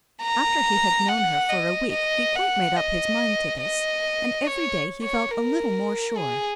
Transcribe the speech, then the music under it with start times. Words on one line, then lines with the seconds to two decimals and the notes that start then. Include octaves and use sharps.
After he had known her for a week he quite made up his mind to this, and every day he felt a little more sure.
0.23 A#5
1.08 F#5
1.50 D#5
1.93 D#5
2.35 F#5
2.77 D#5
3.61 D#5
4.47 C#5
5.03 C#5
5.32 A#4
6.17 G#4